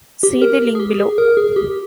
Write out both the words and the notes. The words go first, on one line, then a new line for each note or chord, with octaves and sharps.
See the link below.
G4
A#4
G#4
G4
G#4
A#4
G#4
G4